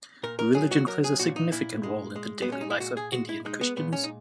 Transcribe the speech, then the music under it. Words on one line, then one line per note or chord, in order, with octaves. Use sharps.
Religion plays a significant role in the daily life of Indian Christians.
A#2 A#4
A#4
F#3 G#4
F#4
F#3 A#4
G#4
A#2 F#4
D#4
A#2 E4
G#3
G#3
B3
A#2 C#4
D#4
E4
A#2 F#4
G#4
G#3 F#4
E4
G#3 D#4
B3
A#2 B3
C#4
D#4